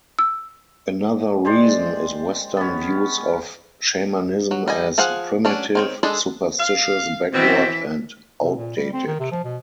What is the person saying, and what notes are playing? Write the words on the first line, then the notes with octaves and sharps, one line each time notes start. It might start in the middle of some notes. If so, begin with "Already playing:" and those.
Another reason is western views of shamanism as 'primitive', 'superstitious', backward and outdated.
E6
G#3 G4 C5 D5
B3 C#4
F#3
G3 D#5 G#5
F3 G#4 F5 F#5
F#3 C#4 D4
D#3 C4 C#5
G#3 D4 G#4 A4
F5
B2 E3 C4 E5
C3
A#2
G3
C4
D#3
C3
F3
B2